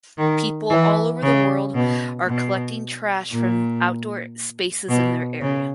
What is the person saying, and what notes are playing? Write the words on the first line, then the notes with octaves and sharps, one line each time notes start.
People all over the world are collecting trash from outdoor spaces in their area.
D#3
E3
C#3
B2
B2
A#2
B2
C#3